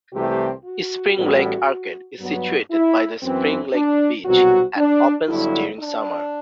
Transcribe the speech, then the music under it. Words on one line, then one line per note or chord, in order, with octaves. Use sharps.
Spring Lake Arcade is situated by the Spring Lake beach and opens during summer.
C2 C3 E3 A3 C4 G4
F#4
A1 A2 G3 B3
G2 F#3 B3
E4
F#2 E3 B3 C4
D4
C2 B2 F#3 C4 F#4
D4
G1 G2 D3 F#3 E4
D4